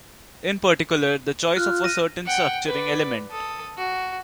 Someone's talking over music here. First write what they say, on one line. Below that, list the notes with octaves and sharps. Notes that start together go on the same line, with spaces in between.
In particular, the choice of a certain structuring element.
F4 F6 F#6
A#6 D#7
F#5 G5
B4 D5
A4 D#6
F#4